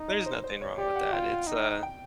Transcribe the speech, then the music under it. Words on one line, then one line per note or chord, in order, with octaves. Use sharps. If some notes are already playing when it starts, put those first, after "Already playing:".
there's nothing wrong with that. It's, uh,
Already playing: D#4
D#5
C5
C5
C#5
G4 D5
F#5
F4 G5
D#4
G5